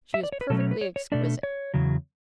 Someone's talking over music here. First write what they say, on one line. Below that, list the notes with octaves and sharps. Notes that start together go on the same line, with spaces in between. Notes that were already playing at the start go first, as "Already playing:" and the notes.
She is perfectly exquisite.
E5
D5
C#5
B4
B2 F#3 A3 C#4 A4
C#5
B4
C#5
C#5
B2 A3 D4 D5
C#5
E2 C#3 F#3